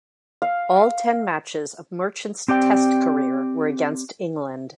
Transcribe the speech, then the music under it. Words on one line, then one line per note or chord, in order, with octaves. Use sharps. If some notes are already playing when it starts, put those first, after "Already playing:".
All ten matches of Merchant's Test career were against England.
F5
C4 G4 D5 G5